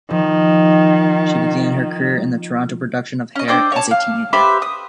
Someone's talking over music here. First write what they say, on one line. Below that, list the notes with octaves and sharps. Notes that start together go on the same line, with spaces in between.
She began her career in the Toronto production of "Hair" as a teenager.
D#3 F3
C#4 D#5
D4 C5 G5 E6
C#5 A5
F5
G4 B4 C5 E5
D#6